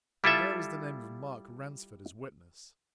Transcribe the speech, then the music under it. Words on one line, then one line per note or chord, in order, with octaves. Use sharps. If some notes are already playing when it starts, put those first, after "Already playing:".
And there was the name of Mark Ransford as witness.
G3 E4 F4 A4 E5